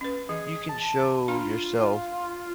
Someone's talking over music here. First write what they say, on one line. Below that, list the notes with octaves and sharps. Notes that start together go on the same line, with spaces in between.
you can show yourself,
C#4 B4
E3 G#4
A5
D4 F4 A#5 B5